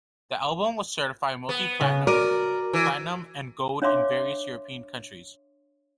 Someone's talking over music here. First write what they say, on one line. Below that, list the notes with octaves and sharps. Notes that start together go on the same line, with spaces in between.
The album was certified Multi-Platinum, Platinum and Gold in various European countries.
B3
C#3
F#4 A#4 D5 D#7
E3
D4 C#5 E5 F5 C6 D6